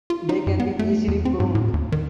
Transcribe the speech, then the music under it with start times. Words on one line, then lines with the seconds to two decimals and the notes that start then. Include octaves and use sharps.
They can be easily pruned.
0.10 F4
0.29 D#4
0.47 F#2
0.60 B3
0.79 A3
1.08 E2
1.25 C4
1.40 G#2
1.55 A2
1.74 D#2
1.92 D#3